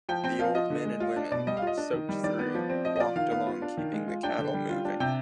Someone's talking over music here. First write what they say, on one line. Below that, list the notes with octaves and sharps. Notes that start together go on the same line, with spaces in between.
The old men and women, soaked through, walked along keeping the cattle moving.
F3 G5
C4 G5
F3 F5
F4 D#5
D3
G#3
F4
D4
B2 D5
G3 D#5
F5
F4 D#5
D4
D#3
G3
D#3 D5
B3
F3
C4
F3 D#5
D#5
F4 D5
D#3 F5
B3 F5
F4
D4
D#3
G#3
F4
D4 G5
D3
G3
F4
D4
C3 G5